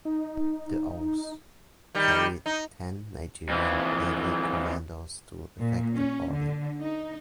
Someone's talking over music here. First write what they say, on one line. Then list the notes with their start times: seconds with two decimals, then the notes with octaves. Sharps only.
The "Ose" carried ten Nigerian Navy commandos to effect the boarding.
0.05 D#4
1.95 D#3 G3
2.46 D#4
3.49 F2 E3
5.59 A#2
5.95 C#4
6.32 D3
6.79 D#4